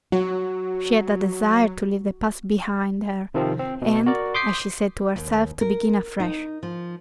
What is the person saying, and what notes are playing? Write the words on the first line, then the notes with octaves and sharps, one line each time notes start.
She had a desire to leave the past behind her and, as she said to herself, to begin afresh.
F#3 F#4
C3 D#3 F3 C4
C4
B2
F#4 A#4 D5
C6 D6 D#6 G6 B6 C7
D#2
A#4
D#4
F3